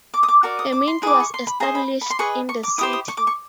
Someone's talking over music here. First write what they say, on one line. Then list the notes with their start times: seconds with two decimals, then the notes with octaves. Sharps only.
A mint was established in the city.
0.14 D6
0.23 D#6
0.28 D6
0.43 F#4 A#4 D5
0.59 D#6
0.72 D6
0.87 C6
1.02 E4 G#4 B4 D6
1.20 C#6
1.34 C6
1.47 B5
1.60 G#4 C5 D#5 A#5
1.75 B5
2.01 B5
2.10 C6
2.19 G#4 B4 D#5 C#6
2.49 C#6
2.63 D6
2.78 E4 G4 C5 D#6
2.93 D#6
3.08 C#6
3.17 D6
3.27 C#6